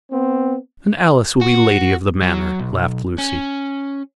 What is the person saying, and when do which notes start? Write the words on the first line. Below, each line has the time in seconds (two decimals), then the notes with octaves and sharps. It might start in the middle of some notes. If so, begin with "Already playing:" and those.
"And Alice will be Lady of the Manor," laughed Lucy.
0.11 B3 C4
1.41 F#4
2.22 F#3
2.60 B1
3.18 C#4